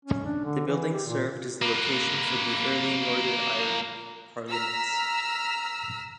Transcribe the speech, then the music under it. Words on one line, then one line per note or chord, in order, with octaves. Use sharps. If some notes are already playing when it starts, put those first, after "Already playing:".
The building served as the location for the early Northern Ireland Parliaments.
C#4
D4
D3
E3
G4
A#2
A#3 B4
A#5 E6 F6 B6